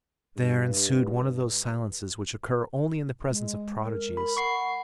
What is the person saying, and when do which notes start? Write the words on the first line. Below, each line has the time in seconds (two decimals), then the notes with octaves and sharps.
There ensued one of those silences which occur only in the presence of prodigies.
0.37 G2
3.30 G#3
3.85 A#4
4.17 B5
4.37 F#5 C#6 C7